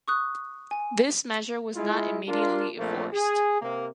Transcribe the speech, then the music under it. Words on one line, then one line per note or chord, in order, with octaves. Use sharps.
This measure was not immediately enforced.
C#6 D#6 F#6
G#5
G#3 E4 F4
D4 F4 A#4
A#1 F2 A#2 F3 A3 A#3
G#4
C3 A#3